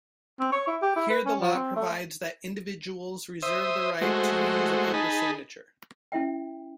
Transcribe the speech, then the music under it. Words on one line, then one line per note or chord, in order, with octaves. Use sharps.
Here the law provides that individuals reserve the right to use a paper signature.
C4
C#5
E4
G4
E4
B4
C#4
F3
C4
A3
C5 E5 D#6
G#3 A3 F#4 C5
D#4 G#4 A5 B5
C#4 E4 E5 G5